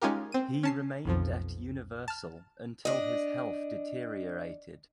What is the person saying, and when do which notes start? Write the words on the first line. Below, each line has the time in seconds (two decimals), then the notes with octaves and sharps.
He remained at Universal until his health deteriorated.
0.02 G#3 C#4 D#4 F4 G4 A#4
0.32 C4 D#7
0.63 C#4 A5 C7
1.05 B1 F2 F3
2.08 A5 F6
2.85 D4 D#5